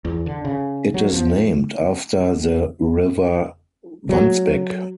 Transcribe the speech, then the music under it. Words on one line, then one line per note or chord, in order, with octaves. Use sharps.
It is named after the River Wansbeck.
E2
D3
C#3
F#3
F3
F#3